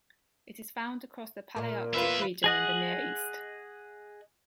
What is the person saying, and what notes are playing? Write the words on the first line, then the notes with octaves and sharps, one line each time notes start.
It is found across the Palearctic region and the Near East.
A#2 A#3
E2 F4 B4 E5
G#4 D#5 F#5